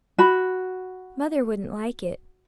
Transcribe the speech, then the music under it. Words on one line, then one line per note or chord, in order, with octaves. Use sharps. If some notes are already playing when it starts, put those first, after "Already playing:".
"Mother wouldn't like it."
F#4 B5